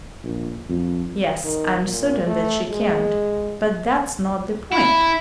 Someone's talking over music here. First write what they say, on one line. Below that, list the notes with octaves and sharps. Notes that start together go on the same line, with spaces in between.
"Yes, I am certain that she can't, but that's not the point."
A#1
F2
D#3
A#2
A3
G#3
E4